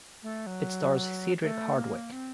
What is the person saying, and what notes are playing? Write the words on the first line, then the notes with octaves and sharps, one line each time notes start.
It stars Cedric Hardwicke.
A3
F#3
A3
A#3
C4